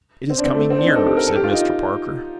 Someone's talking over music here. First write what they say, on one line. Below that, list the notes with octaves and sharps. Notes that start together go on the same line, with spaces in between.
"It is coming nearer," said Mr. Parker.
C4
D4
C4
A3
C4
D4
D#4
A4
G4
A#4
A4
G4
F4
D#4